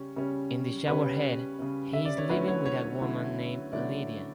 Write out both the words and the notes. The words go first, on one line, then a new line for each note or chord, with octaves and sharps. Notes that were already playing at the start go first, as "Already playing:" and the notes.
In "The Shower Head", he is living with a woman named Lydia.
Already playing: C#3 G3 C#4
C#3 G3 C#4
C#3 G3 C#4 B4
C#3 G3 C#4
E5
D5
C#5
D3 F#3 A3 C#4 E4 B4
C#5
C#5
C#5
D3 F#3 A3 C#4 E4
D3 F#3 A3 C#4 E4 D5